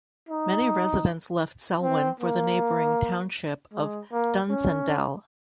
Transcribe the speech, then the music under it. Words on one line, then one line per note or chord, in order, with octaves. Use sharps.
Many residents left Selwyn for the neighbouring township of Dunsandel.
D#4
C4
A#3
G#3
A#3
C#4